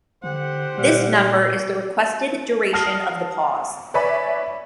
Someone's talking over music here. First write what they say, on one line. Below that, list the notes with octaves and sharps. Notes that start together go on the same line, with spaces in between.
This number is the requested duration of the pause.
D3 G4 C5 F#5
A#2 G3
A5 D#6 F6 A#6 C7
B4 C#5 D5 E5 G#5 B5